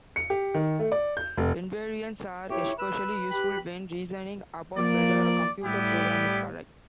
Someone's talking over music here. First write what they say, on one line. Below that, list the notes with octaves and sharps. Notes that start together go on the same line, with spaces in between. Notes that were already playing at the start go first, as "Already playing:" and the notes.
Invariants are especially useful when reasoning about whether a computer program is correct.
C#7
G4
D#3
A3
D5
G6
F1
E4 G4 C#5
B4 E6
G4 B5 F#6
F3 A#3 D5
A2 G3 B3 E4 G4